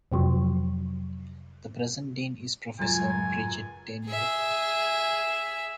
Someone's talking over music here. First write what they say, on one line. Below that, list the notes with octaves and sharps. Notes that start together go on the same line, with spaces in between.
The present Dean is Professor Brigid Daniel.
F2 C3 F3 F#3
C#2 F#2 G#5 A6
G#4 E5